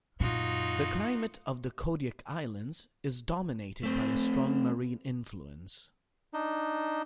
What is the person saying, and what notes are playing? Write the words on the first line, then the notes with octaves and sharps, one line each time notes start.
The climate of the Kodiak Islands is dominated by a strong marine influence.
F#2 A#2 D#4 F4 F#4
A3 C4
D4 D#4